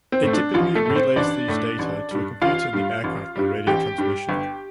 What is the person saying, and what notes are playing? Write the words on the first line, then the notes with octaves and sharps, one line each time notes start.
It typically relays these data to a computer in the aircraft by radio transmission.
C4
A2 A3
D4
A1 F3 F4
A3 A4
A2 A3
C4 C5
A1 D4 D5
A2 A3
A1
G2 G3
A1 F4 F5
G2 G3
A1
G2 G3
A1 G4 G5
G2 G3
G1